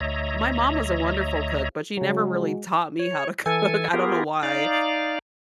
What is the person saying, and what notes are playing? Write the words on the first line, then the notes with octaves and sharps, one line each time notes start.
My mom was a wonderful cook, but she never really taught me how to cook. I don't know why.
D2 C#5 D#5 E5 A#5
C#3 F#3 G#3 F#4
C#5
E3 A4 G#5
B3 F4 G4 G#4 A#4
D#4 D5 F5